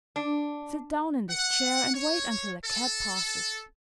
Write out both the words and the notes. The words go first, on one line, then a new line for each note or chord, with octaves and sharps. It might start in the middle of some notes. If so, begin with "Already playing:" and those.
Sit down in this chair and wait until a cab passes.
D4
F#5
C#5
A4